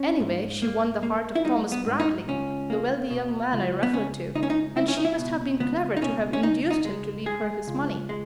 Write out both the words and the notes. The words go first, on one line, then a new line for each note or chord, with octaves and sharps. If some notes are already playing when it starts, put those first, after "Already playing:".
Anyway, she won the heart of Thomas Bradley, the wealthy young man I referred to, and she must have been clever to have induced him to leave her his money.
Already playing: C#4
G#2
A#3
A#3
E4
G3 D#4
B3
G#2
D#4
C#2 C#4
A#3
B2
C#2
B3
C#2 C#4
C#2 D#4
C#4
D#4
C#2 E4
C#4
D#4
E4
B2
C#2 B3
D#4
B2 C#4
C#4
C#2 D#4
D#4
G#3
G#3 G#4
C#2
G#3